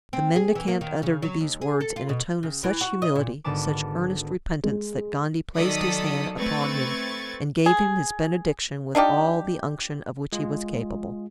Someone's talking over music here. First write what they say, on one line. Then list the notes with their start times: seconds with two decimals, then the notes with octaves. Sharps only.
The mendicant uttered these words in a tone of such humility, such earnest repentance, that Gondy placed his hand upon him and gave him his benediction with all the unction of which he was capable.
0.13 C4
0.36 G#4
0.55 E3
0.68 A#3
0.81 D#3
1.03 C#3
1.22 F#3
1.41 D#2
1.61 G#4
1.81 A4
1.96 F4
2.09 B2
2.43 C#3
2.64 E3
2.81 F#4
3.02 D#5
3.15 A#2
3.44 G#1 D3 B3 A5 D6
4.64 G#3
5.57 D#3 F#3 A4 D5 D#6 B6
6.37 A3 C4 B4 C#6 G#6 A6
7.66 G#4
8.95 D4 D#4 F4 G4
10.33 G#3 F4 G#4